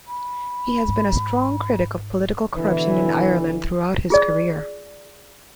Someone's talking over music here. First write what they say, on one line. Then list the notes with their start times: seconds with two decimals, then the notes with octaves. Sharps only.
He has been a strong critic of political corruption in Ireland throughout his career.
0.07 B5
0.88 G#2
2.56 B2 D3 E3
4.10 F4 G#4 D5